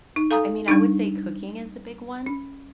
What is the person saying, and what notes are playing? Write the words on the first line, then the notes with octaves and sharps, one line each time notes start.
I I mean, I would say cooking is the big one
D#4
A4 F5 G#5 A#5 D#6
G3 D4 D#4
C#4